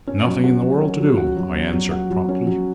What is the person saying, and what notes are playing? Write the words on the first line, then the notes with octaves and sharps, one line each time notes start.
"Nothing in the world to do!" I answered promptly.
C#4
F#3
F#4
F#3
C#4
F#3
F#4
F#3
C#4
F#3
F#4
F#3
C#4
F#3